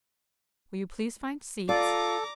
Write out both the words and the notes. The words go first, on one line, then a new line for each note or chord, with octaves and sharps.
Will you please find seats?
F4 A4 D5 A#5 D6